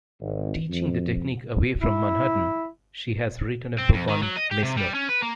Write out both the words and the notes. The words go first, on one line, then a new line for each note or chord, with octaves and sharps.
Teaching the technique away from Manhattan, she has written a book on Meisner.
G#1
F2
E4
C4
F2
D#3
F#3
D#5
G4
C3
G3
C#4
B4
A#3